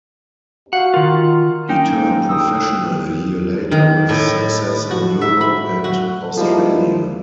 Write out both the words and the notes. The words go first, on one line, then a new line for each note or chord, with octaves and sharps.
He turned professional a year later with success in Europe and Australia.
F#4 F5 F#5
D#3 F4 A#4
A#3 C#4 D#4 G5
G5 D#6 E6
D#3
A2
F#4
E5
B5
F#4
F3 G3 G#3 A#3 D#4 E4